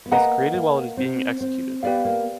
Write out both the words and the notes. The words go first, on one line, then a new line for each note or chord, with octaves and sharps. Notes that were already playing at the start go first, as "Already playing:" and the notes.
It is created while it is being executed.
B3
A#3 B4 D#5 F#5 A#5
A#3
C4
C4
B3 G4 B4 D5 F5
A#3